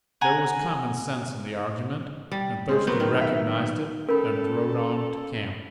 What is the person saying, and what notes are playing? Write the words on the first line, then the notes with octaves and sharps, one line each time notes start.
There was common sense in the argument, and Thurston recognized it and rode on to camp.
F#5 G#5 A#5
G3
G#3 C4
F#3 B3 A#4 C5 G6
D#3
A#4 E5
C#4 A4 A#4 B5